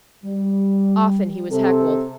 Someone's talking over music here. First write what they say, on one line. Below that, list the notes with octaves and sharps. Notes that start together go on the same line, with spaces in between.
Often he was heckled.
G3
C3 A4